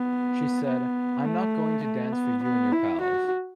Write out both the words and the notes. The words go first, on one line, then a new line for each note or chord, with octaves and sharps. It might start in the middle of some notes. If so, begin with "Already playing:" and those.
She said: 'I'm not going to dance for you and your pals.
Already playing: B3
B3
A3
A3
B3
B3
E4
F#4